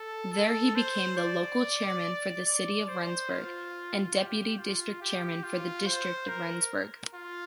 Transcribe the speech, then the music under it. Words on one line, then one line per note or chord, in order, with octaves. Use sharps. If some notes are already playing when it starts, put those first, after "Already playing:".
There he became the local chairman for the city of Rendsburg and deputy district chairman for the district of Rendsburg.
Already playing: A4
A4
C5
D5
D5
C5
F4
G4
F4
G4
F4
C5
A#4
F4